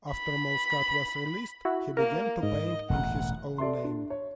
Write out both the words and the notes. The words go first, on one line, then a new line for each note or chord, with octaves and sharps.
After Malskat was released, he began to paint in his own name.
B5
E4 F#4
A#3 A#4
G#2 D#5
E1 A1 F#5
A4 D5 E5 C6
D4
C#5